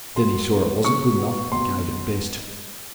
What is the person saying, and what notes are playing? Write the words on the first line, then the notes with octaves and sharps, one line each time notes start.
Then he saw it wasn't good enough, and gave it best.
F#3 C6
B3
C#3 C#6
B3
B2 C6